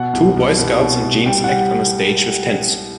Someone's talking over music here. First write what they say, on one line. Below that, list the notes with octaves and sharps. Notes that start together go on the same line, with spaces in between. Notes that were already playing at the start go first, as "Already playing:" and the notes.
Two boy scouts in jeans act on a stage with tents.
Already playing: B2 F#5
C2
C2
C2
B2
C2
G3 G5
F#5
G3